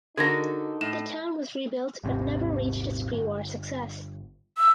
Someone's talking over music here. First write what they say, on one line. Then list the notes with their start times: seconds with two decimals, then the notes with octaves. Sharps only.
The town was rebuilt but never reached its prewar success.
0.17 D3 D#4 F#4 G#4 A#4 A#5 G#6 A#6
0.81 A2 E7
2.04 D#1 G#1 C3
3.13 G1
4.57 E6